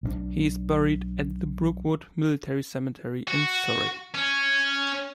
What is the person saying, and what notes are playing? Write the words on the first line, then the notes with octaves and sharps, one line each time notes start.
He is buried at the Brookwood Military Cemetery in Surrey.
B1 D#3 D4
F#4
C#4